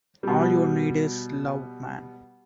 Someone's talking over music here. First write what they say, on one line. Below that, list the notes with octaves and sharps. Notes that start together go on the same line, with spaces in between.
All you need is love, man.
B2 G3